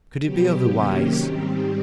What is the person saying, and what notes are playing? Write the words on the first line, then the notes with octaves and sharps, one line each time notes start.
Could it be otherwise?
B2 F#3 B3 G4
C3 D#3 F#3 A#3 C#4 G4
G#2 D#3 G3 C4